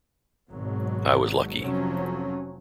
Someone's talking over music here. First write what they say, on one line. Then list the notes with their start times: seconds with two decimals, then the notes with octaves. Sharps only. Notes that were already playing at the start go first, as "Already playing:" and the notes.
I was lucky.
0.51 G#1 B2 F#3
1.61 F1 F3 F#3 C#4